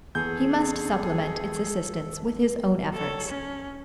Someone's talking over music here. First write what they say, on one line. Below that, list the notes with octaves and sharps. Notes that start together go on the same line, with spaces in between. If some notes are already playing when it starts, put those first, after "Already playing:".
He must supplement its assistance with his own efforts.
E2 G#4 A4 G6
A4 C#5
C#4